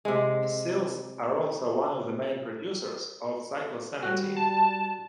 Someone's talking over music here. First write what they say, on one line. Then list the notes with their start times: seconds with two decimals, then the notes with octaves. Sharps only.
S cells are also one of the main producers of cyclosamatin.
0.05 C3 G#3
4.03 G3 F#4
4.37 A5